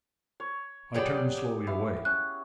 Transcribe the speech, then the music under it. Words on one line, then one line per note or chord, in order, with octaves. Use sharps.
I turned slowly away.
C#5
F#3 B3 G4 G#4 D5 G5
E4 F5
C#4 F#6